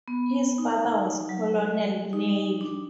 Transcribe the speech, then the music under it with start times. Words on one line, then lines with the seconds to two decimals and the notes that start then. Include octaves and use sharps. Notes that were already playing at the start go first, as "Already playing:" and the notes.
His father was Colonel Neill.
0.08 B3
0.58 D#4
1.29 F#3
2.13 D#4
2.61 D4